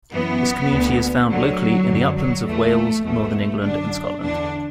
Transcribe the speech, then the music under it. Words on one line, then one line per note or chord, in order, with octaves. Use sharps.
This community is found locally in the uplands of Wales, northern England and Scotland.
F#2 E3 B3
D2 D3
D2 D3 F#3
F#2 D3
F#3
E2 E3 A3
E2 B2 A3
F#2 D3 D4
E2 D3 D4